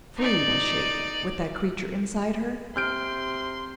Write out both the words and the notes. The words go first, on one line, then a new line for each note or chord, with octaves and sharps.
FREE was she, with that creature inside her?
D#4 D5
C3 C6 F6 G6 D7